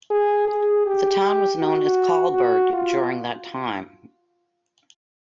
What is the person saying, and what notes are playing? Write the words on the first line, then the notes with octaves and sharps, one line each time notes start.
The town was known as Kahlberg during that time.
G#4
G#4
G4
F#4
F#4
F4